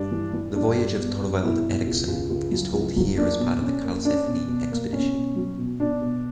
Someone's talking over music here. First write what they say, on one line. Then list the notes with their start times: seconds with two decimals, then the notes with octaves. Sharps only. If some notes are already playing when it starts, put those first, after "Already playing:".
The voyage of Thorvald Eriksson is told here as part of the Karlsefni expedition.
Already playing: G2 D4
0.11 E3
0.33 E3
0.55 G2 D4
0.77 G2
0.99 B3
1.21 G2
1.42 B2 E4
1.64 B2
1.87 C#2
2.08 C#2
2.30 C#2
2.51 F#3
2.73 C#2
2.96 F#3
3.18 A#3 D4
3.40 B2
3.62 C#4
3.84 A#3
4.05 C#4 D4
4.27 B2
4.48 B2
4.71 A#3
4.92 B2 C#4
5.14 B2
5.36 F#3
5.58 B2
5.79 B2 D4
6.01 B2